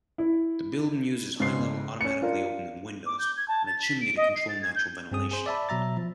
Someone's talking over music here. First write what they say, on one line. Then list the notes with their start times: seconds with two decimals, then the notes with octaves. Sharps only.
The building uses high-level automatically opening windows and a chimney to control natural ventilation.
0.18 E4
1.40 G#2 C#3 C7
2.01 C#4 C#7
2.22 D4 F4 A#4
3.06 D6
3.19 G6
3.37 G#6
3.48 A5
3.66 A6
3.82 B6
4.01 D7
4.17 D#5
4.35 C7
4.49 A6
4.62 G#6
4.75 G6
5.12 G2 C4 G#4 D#6
5.31 G#4 C5
5.46 D5 E5 A5 B5
5.69 B2 F#3 E5 A#5 A6
5.97 F3